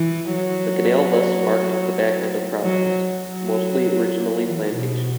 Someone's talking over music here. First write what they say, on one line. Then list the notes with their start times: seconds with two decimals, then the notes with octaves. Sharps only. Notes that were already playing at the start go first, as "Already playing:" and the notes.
The canal thus marked the back end of properties, mostly originally plantations.
Already playing: E3
0.33 F#3
2.62 F#3
3.22 F#3
4.45 E3
4.75 B2